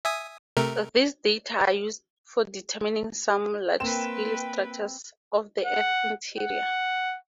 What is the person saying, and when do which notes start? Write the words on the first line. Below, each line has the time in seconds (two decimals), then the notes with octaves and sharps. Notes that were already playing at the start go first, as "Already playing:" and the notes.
These data are used for determining some large scale structures of the Earth interior.
0.05 E5 G#5 D#6
0.57 C3 A3 A#4
3.80 A#3 C4 B4 G5 E7
5.66 F#5
6.38 F#5